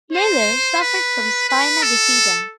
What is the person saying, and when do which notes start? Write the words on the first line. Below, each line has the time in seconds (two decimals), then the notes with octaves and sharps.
Miller suffered from spina bifida.
0.13 C5
0.81 B4
1.49 B4
1.83 A4